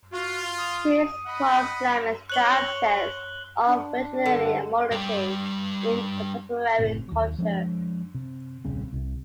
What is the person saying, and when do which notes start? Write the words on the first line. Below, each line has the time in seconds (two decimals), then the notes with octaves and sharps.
His prose laments the absence of originality and morality in contemporary culture.
0.13 F4 F#4
0.59 D#6
1.26 D#5 F#5 B5
2.30 C#5 F#6 F#7 G7
3.66 D4
4.26 G2 D3 A4
4.91 G2 G3
6.79 F#1 A2 C3
7.08 D#2 F#3
7.39 F3 G#3 A3 D4
8.15 C3
8.65 D#1 C2 C#3 C4
8.93 C2 C3